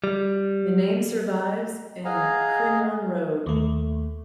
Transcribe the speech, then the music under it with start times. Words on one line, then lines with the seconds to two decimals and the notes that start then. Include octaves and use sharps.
The name survives in Cremorne Road.
0.04 G3
2.05 G#4 D#5 F5 F#5 G#5 A#5
3.47 D#2 A3